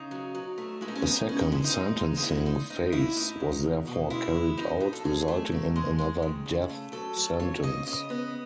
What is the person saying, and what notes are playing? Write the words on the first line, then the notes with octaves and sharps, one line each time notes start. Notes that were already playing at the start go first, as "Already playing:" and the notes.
A second sentencing phase was therefore carried out, resulting in another death sentence.
Already playing: C#3 D#4
F#3
F#3
A3
G#3 E4
D#4
C#4
B3 D#4
B3 C#4
D#4
G#3 E4
D#4
G#3
G#3
D#4
E2 E4
G#3 D#4
A2 D#4
A2 E4
A2 D#4
A2
B2
B2
G#3 E4
B3
F#2 D#4
F#2 D#4
A4
F#2 G#4
A3
D#3
G#3
G#3
D#3
C#3
A3
F#3 A4
F#3
C#3 C#5
C#3 D#5
C#3 D#5
B3